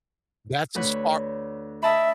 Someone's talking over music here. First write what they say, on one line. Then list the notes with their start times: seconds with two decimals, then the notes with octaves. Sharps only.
That's as far
0.75 D2 B4 C#5
1.83 D#5 E5 A5 B5